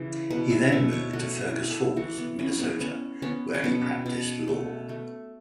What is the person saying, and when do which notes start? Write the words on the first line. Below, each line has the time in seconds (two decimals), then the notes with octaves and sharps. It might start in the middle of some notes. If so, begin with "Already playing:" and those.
He then moved to Fergus Falls, Minnesota where he practiced law.
Already playing: C#3 E3
0.30 B2 B4
0.50 E5
0.72 B2 E5
0.93 C#5
1.13 A3 F#4
1.42 E4
1.55 A3
1.70 A4
1.97 E3 F#4
2.18 B3
2.39 E3 C#4
2.60 B3
2.81 B3 C#4
3.22 B3 C#4
3.54 C#4
3.64 B2 B3
4.06 B2
4.48 A3
4.89 A3